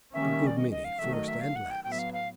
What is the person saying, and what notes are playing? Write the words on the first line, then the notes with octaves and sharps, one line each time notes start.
"A good many, first and last."
D#3 G3 A#3 C#4 E5
D5
D#5
D#5
F5
D#3 F#3 A3 E5
D#5
E5
F5
F#5
G5
A2 F#3 B3 G5
E5
F5
F5